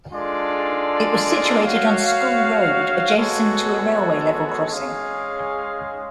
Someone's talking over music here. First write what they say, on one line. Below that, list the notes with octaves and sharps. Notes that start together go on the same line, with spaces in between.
It was situated on School Road, adjacent to a railway level crossing.
G#3 D4 F4 A4 D5
F#4 C#5 F5
G#3 B3 F#4 A4 C#5
G#3 C#4 G#4 C#5 F5